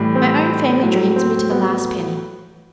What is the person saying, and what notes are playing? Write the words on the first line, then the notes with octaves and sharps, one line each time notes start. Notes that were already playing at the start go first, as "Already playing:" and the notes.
My own family drains me to the last penny.
Already playing: A2 E3 G3
C4
A2 F#3
C4
B3